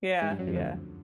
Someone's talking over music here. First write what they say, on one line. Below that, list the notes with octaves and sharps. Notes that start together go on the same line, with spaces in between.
Yeah, yeah.
G#2 G#3
G2 G3
F#2 F#3
F2 F3
D2 D3